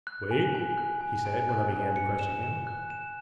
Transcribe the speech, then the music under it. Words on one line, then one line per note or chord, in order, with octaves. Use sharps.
"Wait," he said when I began to question him.
F#6
G#5
G#5
F#6
G#5
G#5
F#6
G#5
C#7
E7
E7
F#6
E7